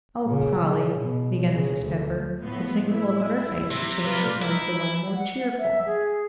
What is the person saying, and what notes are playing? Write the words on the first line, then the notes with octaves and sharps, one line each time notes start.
"Oh, Polly," began Mrs. Pepper; but seeing the look on her face, she changed her tone for one more cheerful.
A#2 C#3
C#3
B2
C#3
D2
A2 F3 B3
E4
C3
F4 B4 D5
D#4 E4
F#5
E5
G#4